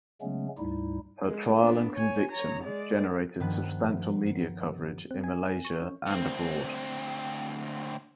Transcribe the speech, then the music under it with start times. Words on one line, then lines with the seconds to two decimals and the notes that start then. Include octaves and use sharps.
Her trial and conviction generated substantial media coverage in Malaysia and abroad.
0.22 C#3 F#3 G#3 A3 B3 C#4
0.58 D2 G#2 G3 D#4 E4
1.24 G#3
1.59 B3 D4
1.93 C#5 G#5
2.31 C#5 A#5
2.63 G#3 D5
3.40 G2 D#3 F3 B3 F#6
5.11 C4
5.24 G#5
5.65 C#6
5.82 C#4
6.07 D2 C4